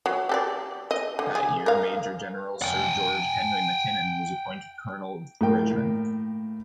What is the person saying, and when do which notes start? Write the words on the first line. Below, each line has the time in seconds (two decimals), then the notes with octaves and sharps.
That year, Major-General Sir George Henry MacKinnon was appointed colonel of the regiment.
0.06 F#3
0.29 G4 A4 D5
0.91 D#5
1.19 D3
1.35 G#4
1.66 A#4 F5
2.62 F#5 G5
5.41 A2 A#3 G5